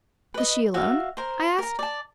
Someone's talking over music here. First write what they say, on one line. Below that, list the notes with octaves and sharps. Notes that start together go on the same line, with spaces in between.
"Is she alone?" I asked.
B4 D#5
F#4 E5 F5
A#4 C5
A#4 A#5
D5 A5